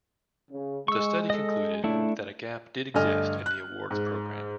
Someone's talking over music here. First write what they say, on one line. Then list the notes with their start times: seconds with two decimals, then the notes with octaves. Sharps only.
The study concluded that a gap did exist in the awards program.
0.51 C#3
0.88 G#3 C#6 E6
1.30 A4 D#5
1.84 A#2 C#3 A3 D4 E4
2.94 G2 D3 A3 D#5 G#5 F6
3.46 F#6
3.91 G#2